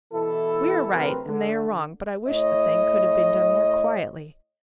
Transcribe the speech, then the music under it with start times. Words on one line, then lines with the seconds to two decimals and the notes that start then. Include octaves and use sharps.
We are right and they are wrong, but I wish the thing could have been done more quietly.
0.12 B2 E3 E4 A4
0.92 D2 C3 F#3 C4 A#4 B4
1.25 D3
2.28 A2 C#5 D#5